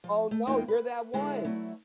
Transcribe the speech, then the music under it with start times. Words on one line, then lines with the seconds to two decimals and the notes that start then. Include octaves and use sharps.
Oh, no, you're that one!
0.04 F3
0.31 A3
0.47 E2 A3 A#3 D#4 F4 G5
0.68 B4
1.14 D3 G#3 B3 E4
1.45 F#3 A3 E4